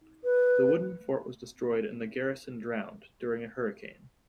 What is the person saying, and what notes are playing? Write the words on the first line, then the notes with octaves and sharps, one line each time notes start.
The wooden fort was destroyed and the garrison drowned, during a hurricane.
B4